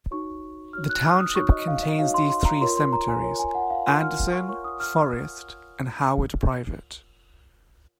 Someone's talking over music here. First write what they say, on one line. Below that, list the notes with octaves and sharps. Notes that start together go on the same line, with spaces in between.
The township contains these three cemeteries: Anderson, Forest and Howard Private.
D#4 F#4 C#5 C#6
D#4 F#4 C#5 F6
F#6
F6
D#6
D#4 F#4 C#5 C#6
D#5
F5
D#5
D#4 F#4 C#5 F5
C6
C6
A#5
F4 A#4 C#5 C6
C6
A#5
G#5
F4 A#4 C#5
G#5
F#5
F5
F4 A#4 C#5 C6
F6
C#6
F4 A#4 C#5 C#6
D#6
F6